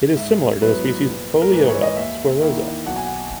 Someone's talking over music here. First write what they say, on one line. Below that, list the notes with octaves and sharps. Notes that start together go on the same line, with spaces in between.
It is similar to the species "Pholiota squarrosa".
G#2 E5
F#3 B3 E4 B4
B4
A#1
A#4
G#2 E3 B4
C#5
D#5
D#2 E5
D#3 A#3 E4
B1 F#5
G#5
F#5